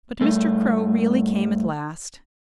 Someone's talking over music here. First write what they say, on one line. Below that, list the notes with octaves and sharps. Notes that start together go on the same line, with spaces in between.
But Mr. Crow really came at last.
G2 A3